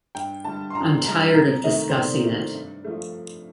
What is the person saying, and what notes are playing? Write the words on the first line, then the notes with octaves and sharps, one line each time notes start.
I'm tired of discussing it.
G2 G5
D3 G3 A5
C6
G2 A#5
D3 G3 A#5
C3 A#5
D#3 A3 D#5
C5
C3 D5
D#3 A3
G2
F3 A3